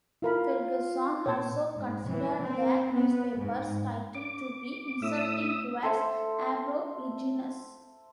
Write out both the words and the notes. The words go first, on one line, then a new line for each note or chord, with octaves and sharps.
Ferguson also considered the newspaper's title to be insulting towards Aborigines.
E4 F4 A#4 B5
A#2 C#5 G5 A5
G#2
E3
C4
B3
G#2
D6
A2 E5 D#6 E6
A4 C5 E5